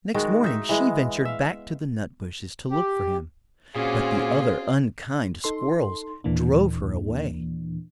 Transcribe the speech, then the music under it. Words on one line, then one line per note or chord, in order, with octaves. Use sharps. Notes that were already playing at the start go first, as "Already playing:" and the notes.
Next morning she ventured back to the nut bushes to look for him; but the other unkind squirrels drove her away.
D#3 G#3 F#4
D#4 E5
E3 G#3 B3
E5 F5
G4
A#2 C4 C#4 F4 F#4 G#4
D#4 A4 C6
D#2 A#2 E3 A#3 D4